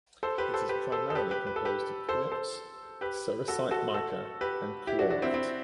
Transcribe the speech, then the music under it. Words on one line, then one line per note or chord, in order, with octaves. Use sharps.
It is primarily composed of quartz, sericite mica, and chlorite.
A4 C5
G4 B4
A4 C5
G4 B4
A4 C5
A4
G4 B4
G4 B4
B4
A4
G4 B4
A4 C5
A4 C5
G4 B4
F#4 A4
F#4 A4
F#4 A4
G4 B4
E4 G4
D4 F#4
D4 F#4
C4 E4
C4 E4